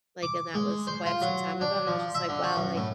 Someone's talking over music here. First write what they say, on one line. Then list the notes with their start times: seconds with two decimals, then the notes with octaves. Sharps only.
like, and that was quite some time ago and I was just like, "Wow, like,
0.23 D6
0.54 G#3
0.87 C5
1.06 F4
1.22 F#3
1.61 D4
1.87 F3
2.15 E5
2.29 D3
2.43 F#4
2.56 F#2
2.76 A2